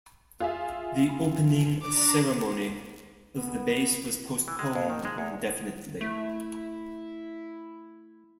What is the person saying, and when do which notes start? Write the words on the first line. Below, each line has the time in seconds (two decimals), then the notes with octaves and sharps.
The opening ceremony of the base was postponed indefinitely.
0.40 F4 G#4 E5
1.82 D4 A#5 D6
3.36 B3
4.48 E3
4.59 G#3
4.75 F2
4.90 D#3
5.05 G#3
5.18 E2
6.01 A3 E4